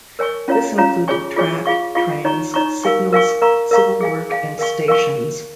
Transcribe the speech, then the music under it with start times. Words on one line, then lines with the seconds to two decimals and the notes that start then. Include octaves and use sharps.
This included track, trains, signals, civil work and stations.
0.19 A#4 C#5 G#5 C#6
0.48 C#4 F4 C#5 F5 A#5
0.78 C#4 F4 C#5 F5 A#5
1.08 F4 G#4 C#5 G#5 C#6
1.36 F4 G#4 C#5 G#5 C#6
1.65 F4 G#4 F5 C#6
1.95 F4 G#4 F5 C#6
2.25 D#4 C#5 A#5 C#6
2.54 D#4 C#5 A#5 C#6
2.83 A#4 F5 G#5 C#6
3.13 A#4 F5 G#5 C#6
3.42 A#4 F5 A#5 C#6
3.71 A#4 F5 A#5 C#6
4.00 G#4 F5 G#5
4.30 G#4 F5 G#5
4.59 A#4 F5 G#5 C#6
4.88 A#4 F5 G#5 C#6